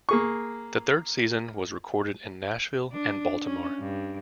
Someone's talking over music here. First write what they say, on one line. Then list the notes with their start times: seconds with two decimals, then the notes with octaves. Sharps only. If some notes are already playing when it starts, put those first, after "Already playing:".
The third season was recorded in Nashville and Baltimore.
0.09 A#3 G#4 C#6
2.93 D4
3.46 C#4
3.80 G2